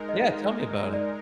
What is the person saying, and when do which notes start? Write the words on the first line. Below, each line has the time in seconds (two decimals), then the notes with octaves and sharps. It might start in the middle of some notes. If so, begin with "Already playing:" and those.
Yeah, tell me about it.
Already playing: G#3 D#4 A#4
0.09 D#5
0.93 D5